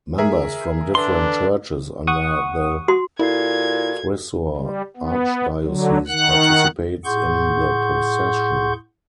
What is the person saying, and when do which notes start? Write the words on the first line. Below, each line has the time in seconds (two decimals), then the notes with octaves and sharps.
Members from different churches under the Thrissur Archdiocese participates in the procession.
0.18 G#4 A#4 E5
0.95 D3 D4 B4 C6
2.07 F#5 C#6 D#6
2.88 F#4 C6
3.19 A#2 E4 F#4 A4 G#6 C7
4.57 G3
4.97 B3
5.64 D3 F#3
6.08 D#3 F#5 F#6
7.05 A2 G#4 F#5 C6 C#6 G6